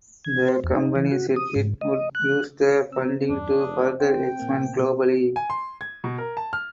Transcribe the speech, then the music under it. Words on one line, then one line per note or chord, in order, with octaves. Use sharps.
The company said it would use the funding to further expand globally.
G#6
C5
E2
D#4
E3
F#4
D#6
G#2
D#5
F#6
C4 A#5 E6
E2 G2 D4
F1 D#6
C4 C5 G5
A#2 A#3
B2
G#5
C6
G#6
B2
A#4
A5
F6